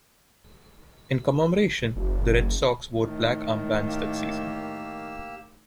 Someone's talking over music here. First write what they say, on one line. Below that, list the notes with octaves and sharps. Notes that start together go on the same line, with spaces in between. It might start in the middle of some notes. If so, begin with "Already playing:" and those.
In commemoration, the Red Sox wore black armbands that season.
F#1
A2 D#3
A#3 G4 E6